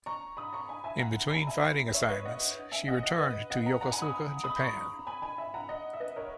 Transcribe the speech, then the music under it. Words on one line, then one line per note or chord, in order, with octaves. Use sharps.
In between fighting assignments, she returned to Yokosuka, Japan.
A#5 C#6
B5 D#6
A#5 C#6
G#5 B5
E5 G#5
F#5 A#5
G#5 B5
A#5
E5 G#5
C#5 E5
B4 D#5
D#5 F#5
E5 G#5
D#5 F#5
D#5 F#5
B4 D#5
D#5 F#5
F#5 A#5
F#5 A#5
G#5 B5
B5 D#6
B5 D#6
A#5 C#6
G#5 B5
G#5 B5
E5 G#5
F#5 A#5
D#5 F#5
E5
B4 D#5
A#4 C#5